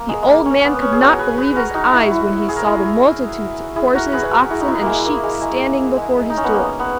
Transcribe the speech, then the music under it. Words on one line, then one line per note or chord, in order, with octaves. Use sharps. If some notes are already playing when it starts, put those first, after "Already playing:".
The old man could not believe his eyes when he saw the multitudes of horses, oxen and sheep standing before his door.
Already playing: A#3
G#3
G#3 A#3
C#4
B3
B3
C#4
G#4
F#4 A#4
G#4 B4
G#4 B4
F#4 A#4
D#4 F#4
E4
E4
G#4
A#4
E4 G#4
E4 G#4
F#4 A#4
G#4 B4
B4
F#4 A#4
E4 G#4
D#4
E4
G#3 A#3
A#3
G#3
G#3
G#3
D#4
C#4
B3
A#3
B3